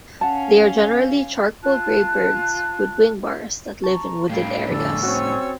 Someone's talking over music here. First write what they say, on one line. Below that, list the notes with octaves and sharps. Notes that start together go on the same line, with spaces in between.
They are generally charcoal-grey birds with wing bars that live in wooded areas.
C#4 F5 F#5 A5
F4 A5 F#6
A5 A#5 C#6
A2 G3 F5 G5
F2 D3 C#4 D4 D5 E6
C4 F#4 C#5